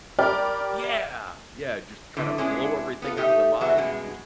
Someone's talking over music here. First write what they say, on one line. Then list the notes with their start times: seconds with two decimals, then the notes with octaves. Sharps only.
Yeah. Yeah, just, kinda, blow everything out of the mind, and, just,
0.19 G4 A#4 D5 G5 B5 F6
2.17 F2 G#2 D3 E3
2.38 G#3 B3 C#4 D4 E4 G#4
3.02 B3 F4 A4
3.17 A3 D#4 G4
3.61 E3 F#3 G#3 B3 F#4 E5
3.77 F#2 B2 G#3